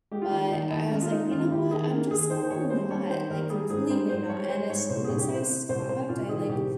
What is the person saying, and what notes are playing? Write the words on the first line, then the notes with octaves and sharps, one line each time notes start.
but I was, like, "You know what? I'm just gonna not," like, completely not, and as soon as I stopped, I, like,
G#3 G4
F4
D#3 G4
D#2 D#4
D#2 D#4
G#3 C#4
F4
G#3 D#4
D#2 F4
D#2 G4
D#3 G#4
A#3
D#2 G#4
D#3 C5
C5
D#2 C#5
G3 C5
G3 C#5
D#3 C5
D#2 A#4
G3 G#4
G#2 G#4
G3 C5
G#2 C5
G3 C#5
C#5
G3 C5
G#2 C#5
C2 C5
C2 G#4
G4
C3 C5
C3
C2 C5
C3 C5
C2 F4
D#3 G#4
C2 G4